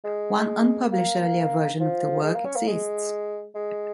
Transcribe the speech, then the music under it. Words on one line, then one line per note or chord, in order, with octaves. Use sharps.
One unpublished earlier version of the work exists.
G#3
A#3
F3
G#3
A#3
C#4
A#3
G#3
G#3